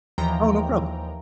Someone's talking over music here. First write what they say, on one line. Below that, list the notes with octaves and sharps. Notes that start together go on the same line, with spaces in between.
Oh, no problem.
D#2 E3 F3 G5 A#5